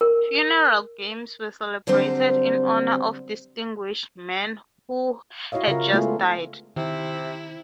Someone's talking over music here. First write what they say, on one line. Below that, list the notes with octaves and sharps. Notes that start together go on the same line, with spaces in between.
Funeral games were celebrated in honor of distinguished men who had just died.
A#4
D3 F#3 G3 C4 C5
E4 F#4 C#5 D#5 F5
C#3 F4 A#4
G#3 A3 B3 E4 F4 G#4
C3 D#3 E4